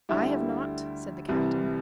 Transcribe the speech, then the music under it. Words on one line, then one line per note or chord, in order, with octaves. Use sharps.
"I have not," said the Captain.
D2 D3 G3 E4 G4
C2 C3 E3 G3